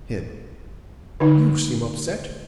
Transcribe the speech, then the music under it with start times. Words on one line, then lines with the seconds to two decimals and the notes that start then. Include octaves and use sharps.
HIM: You seem upset.
1.20 D3 D#4